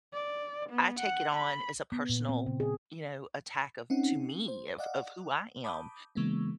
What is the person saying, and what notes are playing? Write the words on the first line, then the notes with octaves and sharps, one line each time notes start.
I take it on as a personal, you know, attack of to me of of who I am
D5
B3
F#5
B5
B3
A#2
C4
C#3
G#4
C4 C#4 D#4 F#5
C5
D5 D#5 F5 F#5
A5 B5 D6 D#6 G6
C#3 E3 G#3 A#3 B3